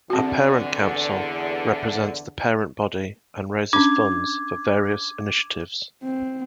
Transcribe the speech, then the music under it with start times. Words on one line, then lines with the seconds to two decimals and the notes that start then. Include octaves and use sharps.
A parent council represents the parent body and raises funds for various initiatives.
0.10 E2 D3 C4 F#4
3.73 C#4 D4 D6 G#6
6.03 C4